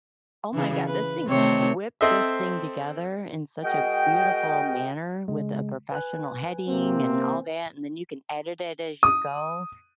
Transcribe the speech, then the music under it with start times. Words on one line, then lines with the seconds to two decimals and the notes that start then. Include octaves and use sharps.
Oh my god, this thing whipped this thing together in such a beautiful manner, with a professional heading and all that, and then you can edit it as you go.
0.53 C#3 E3
0.87 B4
1.28 C3 D#3 A3 C4 C#5
2.01 C4 A4 C5 D#5 E5
3.64 G#3 F#4 A#4 D#5 G5
5.28 C#3 G#3
5.92 B4 G#5 F#6
6.68 C3 A#3 C4
9.03 D#6